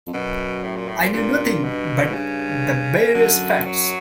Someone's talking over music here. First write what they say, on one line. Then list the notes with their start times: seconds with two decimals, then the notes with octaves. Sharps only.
I knew nothing but the barest facts.
0.07 F2
0.13 F#2 B2
0.64 A2
0.76 A#2
0.88 A2
1.02 A#2
1.13 G2 A#2
1.64 B2
2.10 G#2
2.14 G2 C#3
3.14 F#2 D3
3.65 F#3